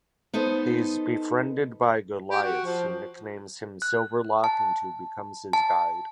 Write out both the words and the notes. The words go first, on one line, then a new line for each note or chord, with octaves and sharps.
He is befriended by Golias, who nicknames him "Silverlock" and who becomes his guide.
B3 D#4 A4 C5
G4
F#4
F3
F#6
A5
A5